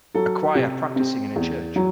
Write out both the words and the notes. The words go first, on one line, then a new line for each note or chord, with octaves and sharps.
A choir practicing in a church.
F#3 A4
C3
C4
E2
F#3